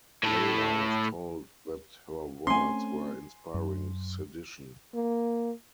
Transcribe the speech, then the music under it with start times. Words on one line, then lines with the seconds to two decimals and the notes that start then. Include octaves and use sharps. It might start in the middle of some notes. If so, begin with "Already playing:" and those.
Leyla was told that her words were inspiring sedition.
0.23 A2 A4
2.47 A3 C4 C#4 G#5 C6
3.54 F#2
4.94 A#3